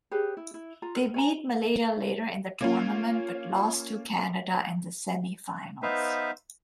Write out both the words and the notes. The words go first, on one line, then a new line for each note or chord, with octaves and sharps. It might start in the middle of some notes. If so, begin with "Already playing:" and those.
They beat Malaysia later in the tournament but lost to Canada in the semi-finals.
G4 G#4 B4 C#5
E4
E4
F4 A#5
A#4
C#5 G#5 A#5
A#3 C#4 F4
B3 D#4 B4 C5 E5 F5